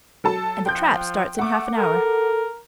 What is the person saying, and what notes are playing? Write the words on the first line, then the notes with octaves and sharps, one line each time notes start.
"And the trap starts in half an hour."
F#3 A4 A5
F3 G5 F#6 G6
A3 F#5 D6
A4 A#4